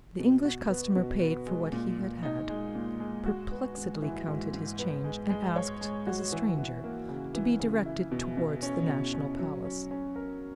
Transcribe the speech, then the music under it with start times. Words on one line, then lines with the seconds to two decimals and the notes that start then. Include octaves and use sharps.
The English customer paid for what he had had, perplexedly counted his change, and asked, as a stranger, to be directed towards the National Palace.
0.19 B2
0.45 F#4
0.70 B3
0.96 B2
1.21 B3
1.46 G#3
1.72 A#2
1.98 A#2
2.23 D#4
2.49 G#3
2.75 A#2
3.00 G#3
3.26 F#4
3.51 B3
3.77 G#2
4.02 E3
4.27 G#2
4.54 G#2
4.79 B3
5.04 G#3
5.30 G#3
5.56 C#5
5.81 G#3
6.07 F#4
6.32 E3
6.58 E3
6.84 A#3
7.09 C#3
7.35 E3
7.60 C#3
7.86 E4
8.11 B2
8.37 B2
8.63 C#4
8.88 B2
9.14 C#4
9.39 F#3
9.65 C#4
9.91 C#4
10.16 A#4